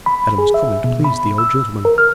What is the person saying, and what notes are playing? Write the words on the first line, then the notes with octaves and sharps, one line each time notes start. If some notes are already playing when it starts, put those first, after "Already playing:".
Adam's comment pleased the old gentleman.
B5
G#4
E5
B2
B5
E6
A#4
F6